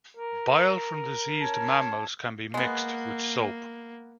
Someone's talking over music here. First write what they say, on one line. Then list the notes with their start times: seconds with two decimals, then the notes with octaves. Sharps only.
Bile from deceased mammals can be mixed with soap.
0.17 A#4
1.41 C#4 A5 G#6
2.54 G#3 A#3 B3